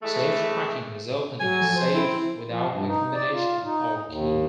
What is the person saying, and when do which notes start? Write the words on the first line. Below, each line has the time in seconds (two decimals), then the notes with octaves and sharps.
Safe cracking is opening a safe without a combination or key.
0.03 E3 G#3 A3
1.40 F#3 G#5
1.61 F3 A4
1.76 C5
1.94 C4 E4
2.50 F3
2.67 G2
2.87 D#4
3.14 D5
3.32 F4
3.64 D#4
4.06 D#2